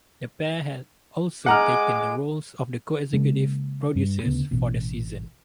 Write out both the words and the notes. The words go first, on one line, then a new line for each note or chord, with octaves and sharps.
The pair had also taken the roles of co-executive producers for the season.
G#3 F#5 A#5 D6 F6
C#3 G#3 A#3
G2
D2 C#3 B3
A1 B2